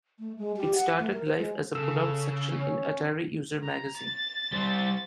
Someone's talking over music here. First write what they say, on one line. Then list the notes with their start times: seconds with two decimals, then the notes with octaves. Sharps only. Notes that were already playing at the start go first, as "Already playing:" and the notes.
It started life as a pull-out section in "Atari User" magazine.
0.19 A3
0.38 G#3
0.57 G4
0.75 F#5
1.00 A3
1.13 A#4
1.26 C5
1.39 G#3
1.75 C#3 A4 E6
2.58 C#4
3.62 A#5
3.96 A6
4.52 G3 C5